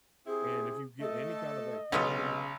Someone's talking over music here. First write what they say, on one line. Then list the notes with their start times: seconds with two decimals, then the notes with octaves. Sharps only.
and if you get any kind of activity
0.27 C4 E4 G4 G#4
1.00 A3 A4 D#5
1.92 B1 C#3 G#3 B3 F4